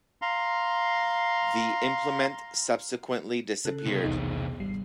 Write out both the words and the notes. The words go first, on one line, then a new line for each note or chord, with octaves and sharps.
The implement subsequently disappeared.
F5 A#5 C6
C#3 A4 F#6
C3 B3 G#4
B1 E2 D#4
G#1 G3 C7